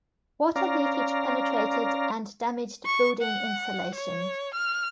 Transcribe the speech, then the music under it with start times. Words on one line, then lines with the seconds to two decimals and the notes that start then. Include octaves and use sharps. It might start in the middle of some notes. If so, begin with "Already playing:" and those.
Water leakage penetrated, and damaged building insulation.
0.56 C#4 D5 F5 A#5
2.85 C#6
3.22 F#5
3.95 C#5
4.54 F6